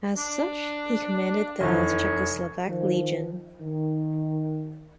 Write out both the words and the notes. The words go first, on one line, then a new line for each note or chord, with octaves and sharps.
As such, he commanded the Czechoslovak Legion.
D4
F1 E2 C#5
D#3 F3
D#3